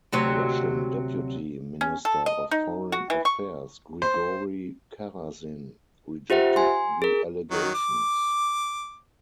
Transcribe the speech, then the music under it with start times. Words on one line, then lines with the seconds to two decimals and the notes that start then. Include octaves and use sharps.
Russian Deputy Minister of Foreign Affairs Grigory Karasin rejected the allegations.
0.12 D2 C3 F#3
1.81 C#4
2.05 A4
2.26 D#5
2.51 D#4
2.92 F#4
3.10 E3
3.25 C#6
4.02 C5
6.30 F4 G4 C5 E5 F#5
6.56 G#5 C6
7.02 G#4 A#4
7.51 D#3 F#3
7.74 D6